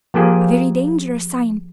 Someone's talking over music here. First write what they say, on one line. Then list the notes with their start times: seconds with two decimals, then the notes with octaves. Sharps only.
'A very dangerous sign!
0.14 F3 A#3 G4 G#4